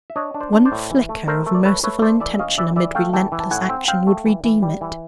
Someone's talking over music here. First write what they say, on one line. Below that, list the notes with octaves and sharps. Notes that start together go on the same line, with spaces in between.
One flicker of merciful intention amid relentless action would redeem it.
E5
D4 C#5 D#5
D4
C5 D5
D4
C5 D5
A2
E3
A3
A3 A#4 C5
A3
D5
A3 B4 C#5
A3 B4 C#5
A3 C5 D5
E3 D5 E5
E5
C#4 D#5 F5
E3 D5 E5
E3 D5 E5
A3 F5 G5
E3 G5 A5
E3
A5
A2 F#5 G#5
C4
C4 F5 G5
A3
E3
E3
G3
E3